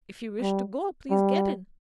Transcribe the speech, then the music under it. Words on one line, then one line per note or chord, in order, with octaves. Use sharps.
"If you wish to go, please get in."
G3
G3